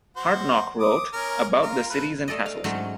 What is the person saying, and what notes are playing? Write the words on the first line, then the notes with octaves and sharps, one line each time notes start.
Hartknoch wrote: About the cities and castles.
F#4 C5
D6 D#6
C#4 A#4
F4 A#4
A3 B4
A3 A4 D5 D#5
F5
G#2 F#3 A3 C#4 C6